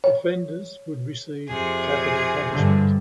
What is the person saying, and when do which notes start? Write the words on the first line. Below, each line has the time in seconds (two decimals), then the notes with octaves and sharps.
Offenders would receive capital punishment.
0.04 C#5
1.48 F2 C3 G#4
2.52 G2 D3